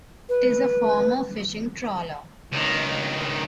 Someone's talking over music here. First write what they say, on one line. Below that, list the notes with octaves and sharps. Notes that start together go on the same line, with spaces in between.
It is a former fishing trawler.
B4
C#2 D#3